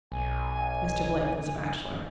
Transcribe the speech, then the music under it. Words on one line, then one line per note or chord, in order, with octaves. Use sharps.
Mr. Blake was a bachelor.
B1 G#5